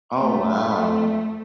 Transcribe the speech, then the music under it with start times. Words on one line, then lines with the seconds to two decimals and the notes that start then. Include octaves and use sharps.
Oh, wow.
0.20 A3